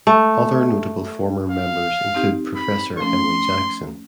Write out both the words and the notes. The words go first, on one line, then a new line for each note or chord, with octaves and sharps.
Other notable former members include Professor Emily Jackson.
A3
F5
C4 D#4 G4
B5
F3 A3 C#4 C6